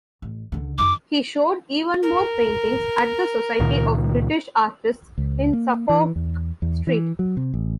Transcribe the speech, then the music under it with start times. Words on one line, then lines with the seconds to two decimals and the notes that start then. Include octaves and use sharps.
He showed even more paintings at the Society of British Artists in Suffolk Street.
0.22 A1
0.52 C#2 D3
0.78 F#2 D#3 D6
2.03 A#4
3.60 C#2 A#2 D#3
5.18 C#2
5.53 A#3
5.89 E3
6.16 E2
6.62 E2
6.87 E3
7.19 F#3
7.37 C3
7.54 A1